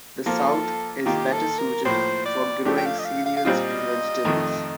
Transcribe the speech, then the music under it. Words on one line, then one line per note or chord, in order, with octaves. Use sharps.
The South is better suited for growing cereals and vegetables.
F3 A#3 F4 A4
D#3 A#3 F4 G4
A4
A#4
A2 F3 A#3 C5
D5
F3 A3 D4 G4
G5
F5
D#5
F5
F5
F5
A#2 G3 C4 F4 D#5
F2 D#3 A3